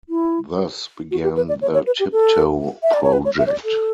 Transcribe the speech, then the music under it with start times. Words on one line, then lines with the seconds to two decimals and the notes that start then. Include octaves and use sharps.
Thus began the Tip Tow project.
0.09 E4
1.11 F#4
1.24 G4
1.36 B4
1.49 D5
1.62 C#5
1.74 C#5
1.87 B4
1.99 G4
2.12 A4
2.83 E5
2.94 D5
3.03 C#5
3.13 B4
3.25 C#5
3.38 E5
3.47 C#5
3.51 D5
3.64 A4